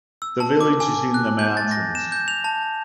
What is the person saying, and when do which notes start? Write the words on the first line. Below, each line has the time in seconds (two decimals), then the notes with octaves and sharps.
The village is in the mountains.
0.22 E6
0.40 A5
0.61 D6
0.80 G#5
1.14 F#6
1.39 G6
1.57 A6
1.71 A#6
1.95 E7
2.12 G6
2.28 F7
2.44 A5